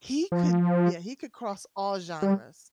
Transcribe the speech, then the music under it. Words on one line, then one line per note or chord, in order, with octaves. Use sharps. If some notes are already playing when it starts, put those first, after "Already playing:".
he could yeah, he could cross all genres.
F3
G3